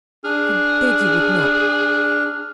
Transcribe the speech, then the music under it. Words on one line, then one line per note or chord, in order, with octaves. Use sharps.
I beg you would not.
D4 G#4 F6